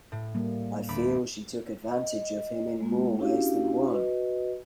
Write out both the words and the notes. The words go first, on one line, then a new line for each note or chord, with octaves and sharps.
I feel she took advantage of him in more ways than one.
A2
G3 A#3
D2 B5 D6
D#5
G#3 A#3 F4
C#4 D4 E4 F#4 G4 F5
F#4 B4 D#5